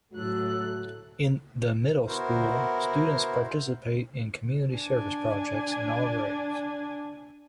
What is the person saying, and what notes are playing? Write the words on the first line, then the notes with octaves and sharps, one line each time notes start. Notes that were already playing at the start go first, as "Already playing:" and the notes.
In the Middle School, students participate in Community Service projects in all grades.
A2 F#3 A4 F#6
B3 E4 F#4 A#4 C5
D4 G#5